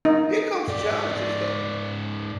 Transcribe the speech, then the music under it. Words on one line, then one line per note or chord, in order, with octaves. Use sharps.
here comes challenges, though.
D#4
G#2 D5